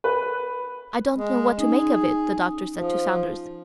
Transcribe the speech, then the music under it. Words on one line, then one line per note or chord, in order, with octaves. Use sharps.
"I don't know what to make of it," the doctor said to Saunders.
B4
G#3
C#4 D#4 G#4
F3